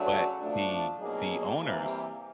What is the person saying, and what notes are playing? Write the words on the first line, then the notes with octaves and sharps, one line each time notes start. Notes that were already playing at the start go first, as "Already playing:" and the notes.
but the the owners
Already playing: C#3 F#3 A3 D4 F#4
F3 A3 D4
B2 F#3 A#3 D#4 G#4
C3 E3 G3 A#3